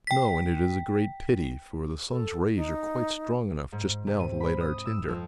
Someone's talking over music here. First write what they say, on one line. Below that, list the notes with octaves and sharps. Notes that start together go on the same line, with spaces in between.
"No, and it is a great pity, for the sun's rays are quite strong enough just now to light our tinder."
G5 B6
A4
D#4
G#2
C3
D#7
B5
D#6
E6
F2